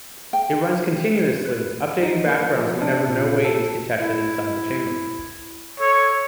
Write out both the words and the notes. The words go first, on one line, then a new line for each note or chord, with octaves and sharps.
It runs continuously, updating backgrounds whenever no weight is detected inside the chamber.
G5
B4
D#4
A#3
F3
D4
A#2
A4
E4
A4 C#5